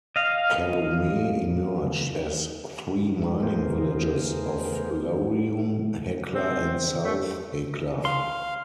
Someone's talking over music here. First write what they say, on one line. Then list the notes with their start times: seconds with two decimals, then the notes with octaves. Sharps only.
Calumet emerged as three mining villages of Laurium, Hecla and South Hecla.
0.16 D#5 F5
3.43 E2 A3 B3 G#4 A#4 C5
6.35 C4
7.04 A3
8.05 F5 C6